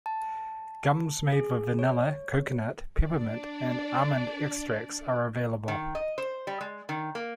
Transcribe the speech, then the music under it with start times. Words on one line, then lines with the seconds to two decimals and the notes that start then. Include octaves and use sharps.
Gums made with vanilla, coconut, peppermint, and almond extracts are available.
0.06 A5
1.32 G#4
1.79 C#5
3.05 D4 D5
5.68 D#3
5.95 D#5
6.18 C5
6.47 G3
6.61 G#3
6.89 D#3
7.15 A#3